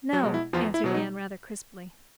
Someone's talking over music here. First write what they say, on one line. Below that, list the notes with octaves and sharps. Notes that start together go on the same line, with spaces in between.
"No," answered Anne, rather crisply.
F#3 F#4
B2 G#3
E4
E2 F3 F4
E4
B2 F#3
D#4